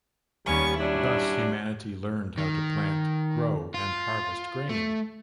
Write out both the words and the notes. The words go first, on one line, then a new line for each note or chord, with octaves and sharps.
Thus, humanity learned how to plant, grow and harvest grain.
D#2 G3 B3 C#4 C#6
F#3 G3 C#4 D4 E4
D#3
F4
A3